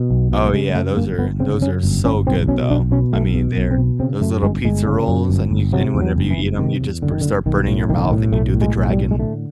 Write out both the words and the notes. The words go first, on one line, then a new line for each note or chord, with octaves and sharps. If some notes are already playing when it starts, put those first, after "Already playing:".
Oh yeah, those are those are so good though. I mean, they're those little pizza rolls, and you c and whenever you eat 'em, you just b start burning your mouth and you do the dragon
Already playing: B2
B1
B2
A3
C#3 G#3
G#3
F#2 A3
G1 A#3
G1 B3
C#3 C4
F#2 C#4
G1
G1 C#4
B1 C4
B2 C#4
B1 D4
B2 C#4
B1 A3
B2
B1
C4
B2
C#3 C4
F#2 A3
G1 G#3
G1 G#3
C#3
F#2
G1
G1
C3 F#3
E2
F#3
F#1
E3
F#1
C3 D#3
E2
F#1 D3
D#3
D3
F#1
B1 D#3
A2
B1 D#3
D3
D#3
A2
B1 A3
A2
G#3
B1
G#3
G3
A2
G#3
D3 A3